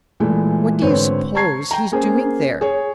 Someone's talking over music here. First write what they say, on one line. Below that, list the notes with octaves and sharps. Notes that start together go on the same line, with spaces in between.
What do you suppose he's doing there?
A#2 E3 G#3 A3
G#1 D3 C4 B4 C#5
A5 A#5 C#6 G#6 C7
G5 A#5
A#3 C#4 G#4 C5
G#4 C#5